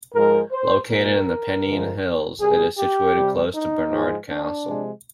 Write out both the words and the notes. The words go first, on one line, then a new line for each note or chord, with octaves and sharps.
Located in the Pennine hills, it is situated close to Barnard Castle.
G#2 F3 G#3 A#4
C5
A#2 G#3 A#4
F2 D3 F3 G#3
C3 G3 G#4
G4
C3 G3
D#4
G#2 F3 G#3
D4
C3 F3 G#3